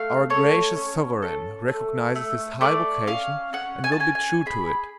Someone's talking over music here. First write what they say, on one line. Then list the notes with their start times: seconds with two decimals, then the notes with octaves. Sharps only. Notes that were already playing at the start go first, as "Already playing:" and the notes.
Our gracious sovereign recognizes his high vocation and will be true to it.
Already playing: A3 F5
0.30 A4 C#5
0.76 C#4
1.22 A4
1.68 A3
2.15 A3
2.61 A3 D5
3.07 C#4 F5
3.53 C#4 F#5
3.84 G#5
3.92 A5
4.00 C#4 G#5
4.15 G#5
4.46 G#4 B5